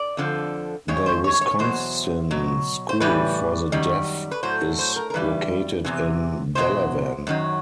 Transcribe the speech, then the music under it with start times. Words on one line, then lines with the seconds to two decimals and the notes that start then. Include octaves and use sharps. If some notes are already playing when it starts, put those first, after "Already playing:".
The Wisconsin School for the Deaf is located in Delavan.
Already playing: D5
0.17 F2 D3 F3
0.88 G2 D#3 G#3 C#5
1.06 C5
1.24 C#5
1.41 C#5
1.59 E2 B2 F#3 C5
2.31 B2 F#3
2.89 C5
3.00 A2 E3 G3 B4
3.72 F#2 D#3 G3
4.31 B4
4.43 A2 F#3 C5
4.79 C5
4.96 A#4
5.10 A#4
5.14 G2 E3 G3 B4
5.85 E2 C3 E3
6.55 E2 B2 F#3 C5
7.27 F#2 D#3 F#3